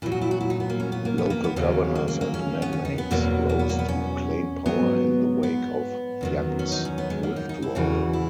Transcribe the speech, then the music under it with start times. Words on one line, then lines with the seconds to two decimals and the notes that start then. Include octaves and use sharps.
Local governors and magnates rose to claim power in the wake of Yang's withdrawal.
0.02 A#2 F#3 E4
0.12 F#4
0.21 E4
0.31 F#4
0.41 E4
0.50 D#4
0.60 B3
0.70 A#3
0.80 C#4
0.92 B3
1.05 A#3
1.18 B3
1.30 A#3
1.44 B3
1.56 D#2 C#3 F#3 C#4
1.95 A#3
2.08 A#3
2.21 A#3
2.34 C#4
2.62 B3
2.73 C#4
2.85 D#4
2.98 B3
3.11 E2 B2 F#3 A#3
3.49 A#3
3.59 B3
3.69 A#3
3.79 B3
3.88 C#4
4.66 G#2 F#3 B3
5.43 B3
6.21 E2 D#3 F#3
6.59 C#4
6.72 D#4
6.85 C#4
6.98 B3
7.10 G#3
7.23 A#3
7.36 D#4
7.49 D#4
7.62 E4
7.75 E2 C#3 E3 F#4
8.13 E4